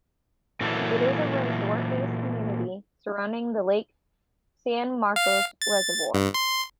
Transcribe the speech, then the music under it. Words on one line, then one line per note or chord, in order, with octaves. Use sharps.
It is a resort-based community surrounding the Lake San Marcos reservoir.
A#2 E3 F#3 A3 A#3
F5
A6
G2
C6